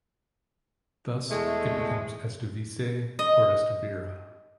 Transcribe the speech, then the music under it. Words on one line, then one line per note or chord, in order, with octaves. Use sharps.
Thus, it becomes "estuviese" or "estuviera".
E2 G#3 A3
D#5